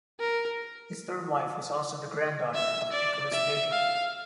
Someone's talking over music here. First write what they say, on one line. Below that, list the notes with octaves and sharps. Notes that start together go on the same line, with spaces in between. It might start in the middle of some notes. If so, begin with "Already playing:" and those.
His third wife also was the granddaughter of Nicholas Bacon.
A#4
E5
D5
E5
F5